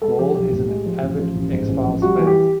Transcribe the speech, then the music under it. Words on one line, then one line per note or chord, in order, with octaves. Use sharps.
Grohl is an avid "X-Files" fan.
G#3 A4
F3 G4
B1 G4
A2 G4
G#3
F3
A1
F3
A1
G#2
A1
F3
G3 F#4
E3
G4